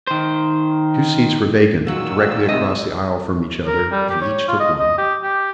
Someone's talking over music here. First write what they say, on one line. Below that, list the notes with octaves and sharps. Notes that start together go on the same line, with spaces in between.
Two seats were vacant, directly across the aisle from each other and each took one.
D#3 C5
A#2 D#3 F#3 F4 E6
C3 G#3 D#5
A#4
G3
G4
C#5
F4
D#5
D#5
G4
G4